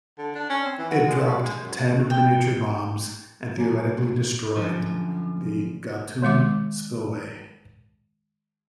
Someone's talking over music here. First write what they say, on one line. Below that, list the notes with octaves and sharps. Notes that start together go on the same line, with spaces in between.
It dropped ten miniature bombs and theoretically "destroyed" the Gatun spillway.
D3
D4
C#4
C4
E3
F#4
G#3
G3
G#3
F#2
G5
F#3 A3 A#3 G4 A#4 G#5
F#2 D3 F3
D#3 G#3 E5 D6